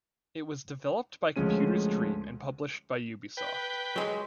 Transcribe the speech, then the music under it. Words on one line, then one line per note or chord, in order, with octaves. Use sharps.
It was developed by Computer's Dream and published by Ubisoft.
D2 F3 G#3 C#4 D#7
B4 G5
F#3 G#3